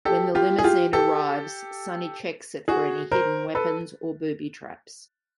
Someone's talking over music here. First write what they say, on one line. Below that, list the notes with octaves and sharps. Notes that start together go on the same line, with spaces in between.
When the limousine arrives, Sonny checks it for any hidden weapons or booby traps.
G4 A4
F4 G4
G#4
F4 G4
G4 A4
F#4 G#4
A#4 C5
A4 B4